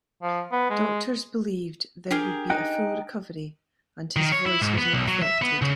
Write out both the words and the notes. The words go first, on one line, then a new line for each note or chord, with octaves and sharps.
Doctors believed there would be a full recovery, and his voice was not affected.
F3
B3
G#3
D4 G4 G#4 A#4
D#4 D#5 G5 F#6
D#3
C#5
E4
G#2
B3
B1
F#3
E5
B3
C#3